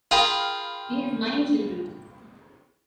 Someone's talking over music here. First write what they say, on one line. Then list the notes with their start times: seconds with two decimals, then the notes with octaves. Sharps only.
He has nine children.
0.11 F4 G#4 A#4 F5 G5 B5